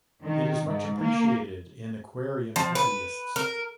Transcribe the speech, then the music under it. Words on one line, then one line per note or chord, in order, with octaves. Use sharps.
It is much appreciated in aquarium hobbyists.
D#3
G#2
A#3
F3
B4
A#4